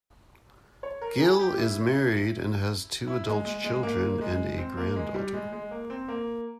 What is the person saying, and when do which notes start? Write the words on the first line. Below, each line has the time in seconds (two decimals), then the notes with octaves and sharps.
Gill is married and has two adult children and a granddaughter.
0.83 C#5
1.02 A#4
1.20 G#4
1.39 G4
1.58 E4
3.07 E4
3.27 G#3
3.46 G#3
3.64 G#3
3.83 A#3
4.21 G#3
4.58 C4
4.77 A#3
4.96 G#3
5.14 G3
5.33 G#3
5.52 G#3
5.71 A#3
5.90 C4
6.08 A#3